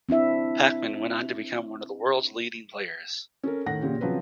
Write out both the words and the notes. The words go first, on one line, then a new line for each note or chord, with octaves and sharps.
Pachman went on to become one of the world's leading players.
C4 D4 E4 E5
C#4 A4 A#4
A2 D#3 F#5 A#6
A#2 C#3 G4
C#3 F3 F#3 C4 B4